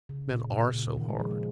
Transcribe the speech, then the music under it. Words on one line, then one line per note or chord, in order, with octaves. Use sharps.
Men are so hard!
C#3
A#2
A#2
C#3
D#3
G#3
F3
G#3